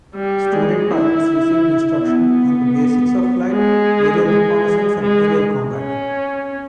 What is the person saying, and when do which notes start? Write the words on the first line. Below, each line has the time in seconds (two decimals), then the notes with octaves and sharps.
Student pilots received instruction on the basics of flight, aerial reconnaissance and aerial combat.
0.15 G3
0.52 G#3
0.91 E4
2.02 B3
3.52 G#3
4.26 G#3
5.02 G#3
5.76 C#4